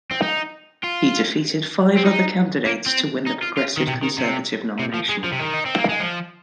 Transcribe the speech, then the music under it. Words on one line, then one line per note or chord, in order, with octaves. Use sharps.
He defeated five other candidates to win the Progressive Conservative nomination.
C4
D#4
F4
C4
D#4
A#3
C4
D#4
F4
F4
D#3
C3
D#3
C3
C3
F3
G#3
F3
C3
D#3
D#4
C4
A#3
G#3
F3